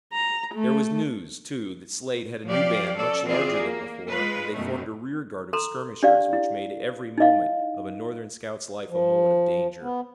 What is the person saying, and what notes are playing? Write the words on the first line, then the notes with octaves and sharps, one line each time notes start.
There was news, too, that Slade had a new band much larger than before, and they formed a rear guard of skirmishers which made every moment of a Northern scout's life a moment of danger.
A#5
A3
F3 F#3 G4 D5 F5
C#4 A4 D5
E3 C4 F4 G4 G#4 D5
A#3
G#3 F4 B4
F#2 B2 D#3 A3 C#4
A4 A#5 C6
D4 G4 D5 F5
E4
D#4 E4 D#5 F5
F3
B3